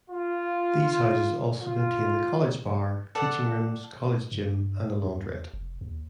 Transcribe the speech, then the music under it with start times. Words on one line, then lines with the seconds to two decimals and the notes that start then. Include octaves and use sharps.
These houses also contain the college bar, teaching rooms, college gym, and a laundrette.
0.10 F4
1.62 F4
3.15 A4 D5 F#5
4.32 G2
5.03 E2
5.54 F1
5.81 D#2